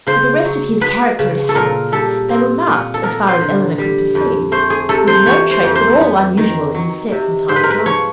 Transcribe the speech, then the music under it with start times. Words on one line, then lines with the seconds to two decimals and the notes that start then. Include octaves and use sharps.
For the rest of his character and habits, they were marked, as far as Elinor could perceive, with no traits at all unusual in his sex and time of life.
0.07 C#3 C5
0.45 F#3
0.81 B3 B4
1.19 C#3
1.49 A4
1.55 A#2 A#4
1.92 G3 A4
2.29 C4
2.66 A#2
2.94 A4
3.03 B3 A#4
3.28 C5
3.40 D3
3.78 G3
4.15 F2
4.52 A3 C5
4.70 G#4
4.89 C3 A4
5.07 C5
5.26 E3 C#5
5.51 C5
5.63 F2
5.75 C5
6.00 B3
6.37 D#3
6.75 F#3
7.12 C3
7.48 G#2 C5
7.56 B4
7.63 A#4
7.71 B4
7.85 F3 C#5